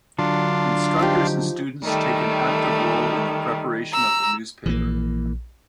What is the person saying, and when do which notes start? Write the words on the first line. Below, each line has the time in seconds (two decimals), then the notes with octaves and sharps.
Instructors and students take an active role in the preparation of the newspaper.
0.18 D3 F#3 D4 F4
0.99 F3 D#4 G4
1.84 D#3 G3 A3
3.92 A#5 E6
4.66 A#1 E3 A#3